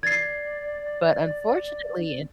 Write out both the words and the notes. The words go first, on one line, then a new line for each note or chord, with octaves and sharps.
but unfortunately in
D5 G#6 A6 C7